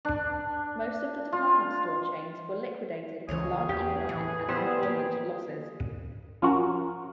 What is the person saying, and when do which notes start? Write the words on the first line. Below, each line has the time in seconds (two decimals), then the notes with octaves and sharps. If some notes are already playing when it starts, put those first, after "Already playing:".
Most of the department store chains were liquidated with large economic and employment losses.
0.05 D4
1.32 F4
3.29 C#2 E3 G#4 C5 C#5
3.69 E2 G4
4.09 A2 E3
4.48 G3 B3 E4 C5
4.83 A#3 G4
6.42 F3 C#4 F4 F#4 A#4